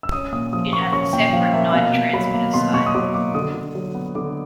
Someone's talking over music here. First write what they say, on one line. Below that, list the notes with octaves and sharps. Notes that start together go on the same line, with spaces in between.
It has a separate night transmitter site.
E6
C#4 D#6
A#2 D#6
F3 D#6
A#3 C#6
C#4 C#6
A#2 G5
F3 F5
A#3 E5
B2 F5
B2
F#3 B5
A#3
B2 C6
B2 C#6
D#6
F#3 D6
A#3 D6
D3 D#6
D3
F#3
B3
D3 D6